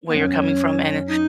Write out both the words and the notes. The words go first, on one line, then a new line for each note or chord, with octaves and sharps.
where you're coming from, and, eh,
B3
F#2 C#4
D#4